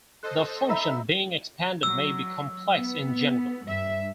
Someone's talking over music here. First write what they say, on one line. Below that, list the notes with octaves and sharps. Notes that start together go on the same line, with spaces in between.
The function being expanded may be complex in general.
A4 C5 D#5 F#6
D#4 E5 A#5 B5
F#3 E6
B3
G2 E5